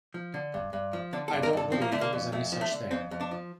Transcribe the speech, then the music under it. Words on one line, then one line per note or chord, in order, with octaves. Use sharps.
I don’t believe it was any such thing.
F3
D3
G2
G2
F3
D3 D4
A4
G2
A#4
G2 A4
F3 C4
A#3
D3 A3
A#3
F2
F2 A3
F3
A3
D3
F2 C4
F2
D4
F3